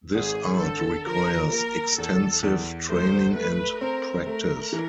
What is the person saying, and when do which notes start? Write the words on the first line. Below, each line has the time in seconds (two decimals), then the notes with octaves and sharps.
This art requires extensive training and practise.
0.14 G#1 G#4
0.60 D3 A4
1.06 F3 A#4
1.52 A#3 A#4
1.97 E2 A4
2.43 E2
2.89 A3 C5
3.34 A3 B4
3.81 C4 A#4
4.27 A3 A#4
4.73 E3